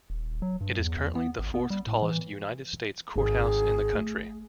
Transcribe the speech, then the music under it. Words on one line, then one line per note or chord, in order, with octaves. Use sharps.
It is currently the fourth tallest United States courthouse in the country.
D#1
F#3
G2
E2
B3
G#1
B3
G3
A2
E3
G#1 G#4
A3